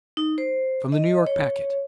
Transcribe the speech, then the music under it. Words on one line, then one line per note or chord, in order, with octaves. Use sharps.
From the New York Packet.
D#4
C5
D#5
C#5